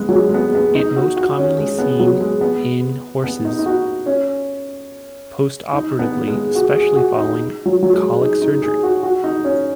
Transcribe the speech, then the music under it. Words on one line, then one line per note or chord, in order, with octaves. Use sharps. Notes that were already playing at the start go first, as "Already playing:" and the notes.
It most commonly seen in horses postoperatively, especially following colic surgery.
Already playing: G#3 B3
F#3
G#3
G#3
B3
B3
D#4
F#4
F#4
C#4
G#3
B3
F#3
G#3
B3
B3
D#4
D#4
F#4
C#4
D#4
B3
G#3
F#4
G#4
F#4
D#4
F#3
F#3
G#3
D#4
D#4
G#4
F#4
F#4
D#4
C#4